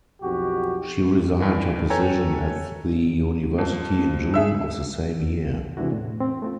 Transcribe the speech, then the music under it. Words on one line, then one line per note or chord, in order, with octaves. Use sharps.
She resigned her position at the university in June of the same year.
B1 F2 F#4 G4
G2 E3
A4 B4 C#5 G5 G#5 A#5
F2
G#4 E5 E6
C3 E3 G#3 D4 E4 F#4
E2 A2
C4
A3 C4 F4